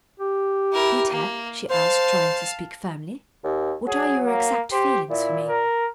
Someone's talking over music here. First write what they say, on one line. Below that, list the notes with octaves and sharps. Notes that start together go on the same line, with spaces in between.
'Peter,' she asked, trying to speak firmly, 'what are your exact feelings for me?'
G4
E4 A#4
A#3
C5 F5 A5
D#2
F#3 G#4
A#3
G4 C5
A#2 E4
A#4